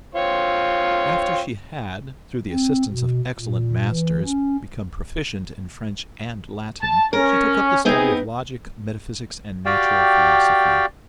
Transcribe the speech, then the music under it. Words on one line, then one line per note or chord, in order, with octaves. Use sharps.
After she had, through the assistance of excellent masters, become proficient in French and Latin, she took up the study of logic, metaphysics and natural philosophy.
C4 F4 C#5
C4
B2
A#2
E3
C#4
A5
C#4 A#4
B3 C4 D#4 G#4
F#4 G4 D5 F5 G5